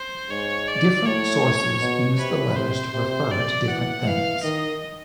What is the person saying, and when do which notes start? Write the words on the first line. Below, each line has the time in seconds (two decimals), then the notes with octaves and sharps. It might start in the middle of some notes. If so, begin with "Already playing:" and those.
Different sources use the letters to refer to different things.
Already playing: C5
0.30 G#2 C#5
0.68 D5
1.05 A2 C#5
1.81 B2
2.18 C3 B4
2.55 C3 C5
2.93 C3
3.31 D5
3.68 E3 F#5
4.06 E3 F5
4.43 D#3 D#5